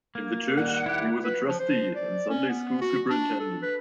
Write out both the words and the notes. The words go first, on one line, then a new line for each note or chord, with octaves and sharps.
In the church, he was a trustee and Sunday School Superintendent.
A#3
D#2 D#3 G3 F#5
E4 G4
B4
F3
C5
D5
C#4
B3
F#4
D4
A4
B4